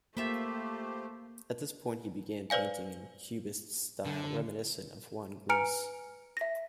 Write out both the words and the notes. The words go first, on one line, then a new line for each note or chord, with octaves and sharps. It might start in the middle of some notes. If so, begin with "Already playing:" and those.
At this point, he began painting in a Cubist style reminiscent of Juan Gris.
A3 A#3 F4 G4 C5 E5 B5
B4 C5 D5 F5 G#5
D3
B4 G#5 A#5 F6 C#7 D7
E5 A#6